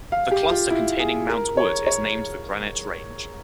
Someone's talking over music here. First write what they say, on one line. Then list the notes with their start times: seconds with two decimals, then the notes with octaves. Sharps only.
The cluster containing Mount Wood is named the Granite Range.
0.12 F5
0.31 G4
0.51 F4
0.71 E4
1.00 G#4
1.29 A#4
1.57 C#5
1.87 C#5